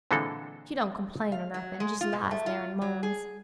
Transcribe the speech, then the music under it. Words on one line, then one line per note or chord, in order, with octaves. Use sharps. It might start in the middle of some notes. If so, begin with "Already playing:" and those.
She don't complain or nothing--just lies there and moans.
A#2 D3 E3 G#3 C4 A4
F5
F#3
G#3
F4
B2
A3
F4
F#3
G#4